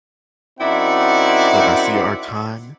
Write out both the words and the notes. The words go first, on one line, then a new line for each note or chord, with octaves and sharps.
but I see our time
F#2 C4 D#4 E4 D5 F#5